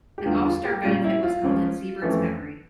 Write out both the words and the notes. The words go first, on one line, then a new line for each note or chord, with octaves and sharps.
An all-star benefit was held in Siebert's memory.
G4
E2 D3 G3 F4
F4
G4
A#2 G3 C#4 F4
E4
F4
C#2 C#3 F3 C#4
F2 E3 A3 C#4